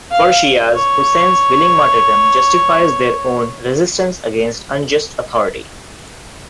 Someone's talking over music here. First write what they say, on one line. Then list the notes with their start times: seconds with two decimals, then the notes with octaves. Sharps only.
For Shias, Husayn's willing martyrdom justifies their own resistance against unjust authority.
0.12 F5
0.75 C#5